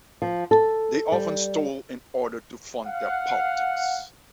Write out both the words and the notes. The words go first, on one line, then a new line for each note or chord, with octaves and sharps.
They often stole in order to fund their politics.
F3
A4
G3
F5 F#5